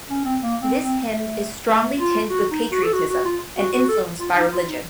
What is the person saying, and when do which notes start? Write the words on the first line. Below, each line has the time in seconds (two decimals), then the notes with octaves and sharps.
This hymn is strongly tinged with patriotism and influenced by religion.
0.10 C#4
0.25 C4
0.41 A#3
0.62 C4
0.83 C4
1.04 A3
1.68 A3
1.99 F4
2.30 F#4
2.51 D#4
2.72 F#4
2.83 A4
2.93 F#4
3.09 F#4
3.25 F4
3.57 F#4
3.73 F#4
3.89 A4
4.20 F4
4.36 D#4
4.52 F4
4.67 D#4